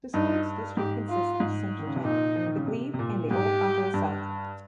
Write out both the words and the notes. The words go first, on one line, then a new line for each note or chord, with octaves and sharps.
The school's district consist of Centretown, The Glebe and Old Ottawa South.
G2 D#4
G#2 G4
F4
G#2
D#3
C#3
C3
A#2 D#4
F3
D#3
C#3
C3
C3
A#2
G#2 G4
G2